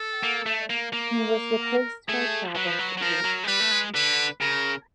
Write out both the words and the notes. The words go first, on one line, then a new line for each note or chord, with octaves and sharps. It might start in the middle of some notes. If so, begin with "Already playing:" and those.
He was replaced by Travis Yates.
Already playing: A4
A#3
A3
A#3
A#3
A#4
A3 G#4
F#3 B4
F3
F#3
F#3
F3 A#4
F#3
G#3
G3 B4
A3
G#3
D3 B4
C#3 A#4